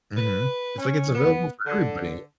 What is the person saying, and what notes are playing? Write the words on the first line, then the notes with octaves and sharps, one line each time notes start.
Mhm. It's like it's available for everybody.
B4
C#4
B3
D3